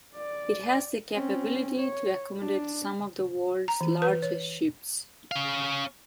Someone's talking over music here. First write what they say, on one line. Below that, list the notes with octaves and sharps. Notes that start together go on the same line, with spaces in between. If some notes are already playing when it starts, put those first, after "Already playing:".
It has the capability to accommodate some of the world's largest ships.
D5
C4 C#4
C#5
D4
A#5
E3
B4
C#5
C#4 F5